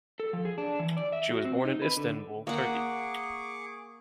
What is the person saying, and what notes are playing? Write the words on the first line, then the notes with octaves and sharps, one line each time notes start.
She was born in Istanbul, Turkey.
A4
F3
G#4
D4
E3
D5
E5
F#4
C4
D#4
B4
D3
A#3 G#4 F#5 C#6 D6